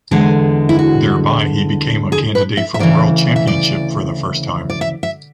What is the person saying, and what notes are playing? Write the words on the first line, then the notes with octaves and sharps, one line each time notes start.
Thereby he became a candidate for world championship for the first time.
E2 D3 G#3 G#4
E4
F#4
G#4
B4
E5
E5
D2 C#3 E3 D5
E5
D5
D5
E5
E5